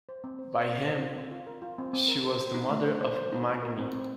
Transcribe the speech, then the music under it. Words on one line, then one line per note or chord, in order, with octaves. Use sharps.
By him she was the mother of Magni.
C5
C4
C5
C5
C4
C5
F4
C4
F4
A#4
F4
C4
C4
A#4
A4
C5
D#4
A3
C5
C5
C5
D#4
D#4
A#4
C4
C4